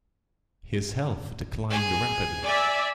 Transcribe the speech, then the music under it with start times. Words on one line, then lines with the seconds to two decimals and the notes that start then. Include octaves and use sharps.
His health declined rapidly.
1.70 G#4 G#5
2.45 D5 E5 G#5